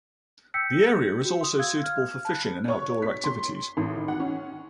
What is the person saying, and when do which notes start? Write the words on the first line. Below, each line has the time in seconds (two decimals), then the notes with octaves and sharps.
The area is also suitable for fishing and outdoor activities.
0.54 G5 E6 G6 B6 C#7
1.25 F#4
1.41 C6 D#6
1.59 F5 E6 G#6
1.84 F6
2.25 A5 B5 F#6
2.68 C#5
3.02 B6
3.24 C6
3.77 A1
3.95 D#3
4.08 F#5
4.20 C#4